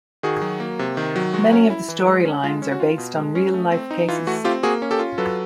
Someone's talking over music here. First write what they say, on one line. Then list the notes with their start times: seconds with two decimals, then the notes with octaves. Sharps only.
Many of the storylines are based on real-life cases.
0.23 D#3 F#4 G#4
0.42 F#3
0.60 A#3
0.79 C3
0.97 D#3
1.16 F#3
1.33 G#3 F#4
1.53 C#4
1.70 E4
1.88 E3
2.07 G#3
2.25 C#4
2.44 G#3 F4
2.62 C#4
2.72 F#4
2.80 F4
2.98 B2
3.16 G#3
3.35 C#4
3.54 A3
3.71 C4
3.91 D#4
4.08 E3 F4
4.27 A3 F#4
4.44 C4 F4 G4
4.63 A#3 F#4 G#4
4.82 C#4
4.91 G4 A4
4.99 F4
5.18 F#3 A4 B4